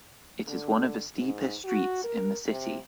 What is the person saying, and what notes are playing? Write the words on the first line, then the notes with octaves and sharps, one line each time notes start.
It is one of the steepest streets in the city.
D3
G#2
F#4
A#4
C3